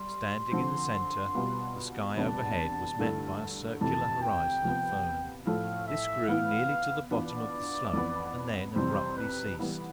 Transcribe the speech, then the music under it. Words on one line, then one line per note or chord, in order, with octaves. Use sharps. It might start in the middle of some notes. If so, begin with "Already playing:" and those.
Standing in the centre, the sky overhead was met by a circular horizon of fern: this grew nearly to the bottom of the slope and then abruptly ceased.
Already playing: G3 C6
D3 F3 C4
B2 G3 B3 F4
E2 C3 G3 B3 D4 A5
G2 D3 A3 E4
F2 C3 E3 A3 A5
G5
C3 F3 B3
A2 F3 A3 F5
E5
E3 B3 E4 F5
E3 B3 D4 F4 D5
F2 E3 B3
F2 C3 E3 G3 C5
B4
E3 G3 B3 E4